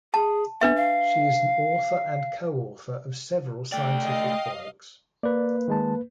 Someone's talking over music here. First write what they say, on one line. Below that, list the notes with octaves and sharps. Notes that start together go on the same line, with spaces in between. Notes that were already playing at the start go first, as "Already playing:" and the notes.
She is an author and co-author of several scientific works.
G#4 A5
B3 D4 B4 E5
F5
A3 D5 G5
D#5 F5
A#3 B4 D5
D#3 G#3 A5